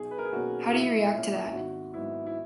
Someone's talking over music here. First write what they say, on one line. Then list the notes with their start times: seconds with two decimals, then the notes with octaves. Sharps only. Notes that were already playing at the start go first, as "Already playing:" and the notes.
How do you react to that?
Already playing: B1 G#4
0.11 B4
0.18 A#4
0.25 G#4
0.32 B2 A#3 C#4 F#4
0.68 F#4
0.72 B1 E4
1.13 A#2 A#3 C#4
1.53 G#1 F#4
1.93 G#2 F#3 B3 E4
2.26 E4